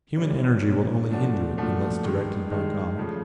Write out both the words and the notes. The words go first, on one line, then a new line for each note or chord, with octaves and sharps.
Human energy will only hinder it unless directed by God.
A#2 G3 A#3 C#4
A#2 G3 A#3 C#4
A#2 F3 A3 D4 F#4
A#2 F3 A3 D4 F#4
G2 D#3 G#3
G2 D#3 G#3
C#3 F3 A3